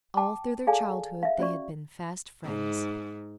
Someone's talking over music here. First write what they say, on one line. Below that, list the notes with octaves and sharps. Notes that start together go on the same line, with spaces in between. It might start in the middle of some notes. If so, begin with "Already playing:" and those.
All through their childhood they had been fast friends.
G5 A5 D6
G#4 A4 D5 F5 G#5 A5
E5 F5
C#4 F#4 D5 C#6
G#2